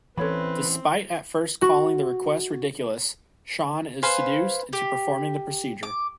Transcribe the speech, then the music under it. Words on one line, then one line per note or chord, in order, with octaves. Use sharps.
Despite at first calling the request ridiculous, Sean is seduced into performing the procedure.
E3 C4 C#4 A4 B4 C#5 B5
F#4
B4 C5 F5 G#5
G4
D6